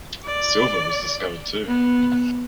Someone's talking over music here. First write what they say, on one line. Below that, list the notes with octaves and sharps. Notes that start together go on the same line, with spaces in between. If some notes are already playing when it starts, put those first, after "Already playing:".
Silver was discovered too.
D5
B3